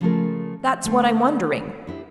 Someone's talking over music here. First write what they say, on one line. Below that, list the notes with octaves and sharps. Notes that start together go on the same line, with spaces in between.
That's what I'm wondering.
C#3 F3 G#3 A3 G#4 A#4
D3 A3 C5
D4 E4 G4